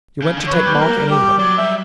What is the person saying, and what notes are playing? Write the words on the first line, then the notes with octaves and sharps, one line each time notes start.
"You went to take Monk in England?"
C#3
D3
C#5
F#3 B4
G3
A#3
G3 A#4
A#3
G3
G4
F#3 D5
G3 E5